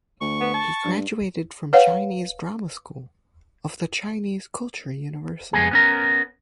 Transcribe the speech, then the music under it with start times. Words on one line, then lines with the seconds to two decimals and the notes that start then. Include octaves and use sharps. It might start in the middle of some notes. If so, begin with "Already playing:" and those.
He graduated from Chinese drama school of the Chinese Culture University.
0.21 D2 C#6
0.40 B3
0.54 A5
0.84 G2
1.73 B4 C#5 F5 F#5
5.53 F2 G#3 B3 G#4
5.71 B3 C#4 A#4